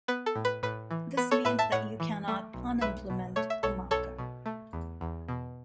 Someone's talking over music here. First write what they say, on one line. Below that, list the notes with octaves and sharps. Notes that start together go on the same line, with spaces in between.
This means that you cannot "unimplement" a marker.
B3 B4
A4
A2
B4
A2 B4
E3
B3 B4
A4 C#5
A2 B4 E5
E5 A5
A2 C#5 F#5
E3
A3
B1
B1 B4 E5
B2
A3 C#5
E5
B1 A4 C#5
B1 A4 C#5
B2
A3
E2
E2
B2